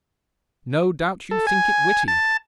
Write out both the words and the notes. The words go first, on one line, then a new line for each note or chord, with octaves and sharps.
No doubt you think it witty!
A4
G#5
A5